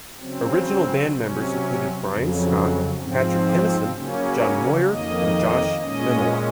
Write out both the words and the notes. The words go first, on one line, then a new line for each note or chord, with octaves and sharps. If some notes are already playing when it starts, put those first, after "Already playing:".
Original band members included Bryan Scott, Patrick Kennison, John Moyer and Josh Memolo.
C#3 F#3 C4
C3 F#3 C#4
F2 C#3 F#3
G#2 F3 C4
C#3 F#3 A#3 C#4
F2 D#3 A#3 D#5
A#2 G#3 C#4 D#5